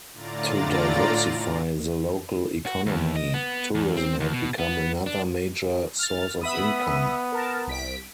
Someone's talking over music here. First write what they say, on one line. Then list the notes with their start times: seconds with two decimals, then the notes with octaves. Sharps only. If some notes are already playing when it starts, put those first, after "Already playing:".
To diversify the local economy, tourism had become another major source of income.
0.12 A2 D3 F4 D5 A#5 A6
2.66 F#4
2.86 D#2
3.16 D#5
3.34 B3
3.75 E2
3.97 C4
4.20 D2
4.33 B2
4.59 B3
5.06 D4
5.99 F6 A6
6.41 B3 E5 B5 D#6
7.32 A#4 A5
7.67 C2 B6 D7